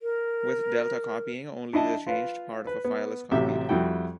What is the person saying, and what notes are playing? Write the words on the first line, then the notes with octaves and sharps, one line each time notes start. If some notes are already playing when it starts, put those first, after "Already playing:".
With delta copying, only the changed part of a file is copied.
A#4
D4 E4 D#5 A5
F4 B4 F5
B4
B3
A1 C3 F#3 G4 E5
F2 G3 E4 F#4 G5